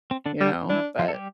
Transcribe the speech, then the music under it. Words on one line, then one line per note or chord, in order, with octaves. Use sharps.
You know, but
C4
D3 D4
D3 G3 D4
E3 D4 E4
F3 F4
A4
G3 G4